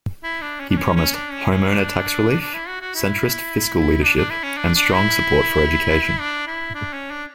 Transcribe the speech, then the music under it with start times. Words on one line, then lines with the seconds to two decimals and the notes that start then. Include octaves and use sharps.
He promised homeowner tax relief, centrist fiscal leadership, and strong support for education.
0.23 E4
0.42 D4
0.60 C#4
0.70 D4
0.78 C#4
0.96 C#4
1.14 D4
1.33 C#4
1.51 C#4
1.68 D4
2.41 D4
2.54 E4
2.68 F#4
2.81 F#4
2.95 E4
4.04 D4
4.17 D4
4.30 E4
4.43 C#4
4.57 D4
4.75 D4
4.94 E4
6.20 D4
6.47 E4
6.75 D4
6.93 C#4
7.11 D4